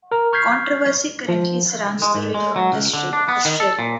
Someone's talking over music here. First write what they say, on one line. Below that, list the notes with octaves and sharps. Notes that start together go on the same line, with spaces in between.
Controversy currently surrounds the rodeo industry in Australia.
A#4 A#5
C#6 F6 G6 G#6 B6 C7
F3
G#3
G#2
G#3
F#3
C#2
D3
D4
B3
D#3
A4
A#2